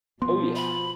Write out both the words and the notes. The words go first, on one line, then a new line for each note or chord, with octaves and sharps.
Oh, yeah,
B2 F3 B3 C6
B5